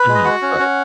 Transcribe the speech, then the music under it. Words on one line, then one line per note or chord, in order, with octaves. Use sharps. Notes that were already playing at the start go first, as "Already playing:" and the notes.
Mhm. Right.
Already playing: B4
G#3
D#5
F#4 F#5
C#4
C#4